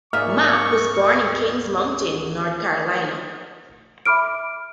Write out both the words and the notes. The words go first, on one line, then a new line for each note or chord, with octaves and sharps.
Mack was born in Kings Mountain, North Carolina.
G#2 A#3 G#4 D5 E5 C#6 F6
E5 B5 D6 F6 D7